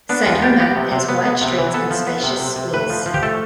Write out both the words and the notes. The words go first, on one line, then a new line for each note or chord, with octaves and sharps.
Saint-Omer has wide streets and spacious squares.
B3 D4
E2 F4
B3 G4
B3 G4
C3
C3
B3
B3
C3
E3
B3 A4
F3
B3
C3
C3
C3
A2 B4
F3
F3
G4
A3 A4